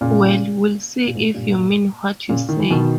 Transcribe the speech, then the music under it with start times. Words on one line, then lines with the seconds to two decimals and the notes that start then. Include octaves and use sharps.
Well, we'll see if you mean what you say.
0.01 A#2 C#3
1.07 A#2
1.15 G#2
1.34 G2 A#2
2.29 A#2 C#3
2.49 D#3
2.59 E3
2.70 B2 D#3